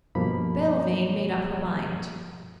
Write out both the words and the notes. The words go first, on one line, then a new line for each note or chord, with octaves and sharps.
Belvane made up her mind.
G2 B2 F3 A#3 B5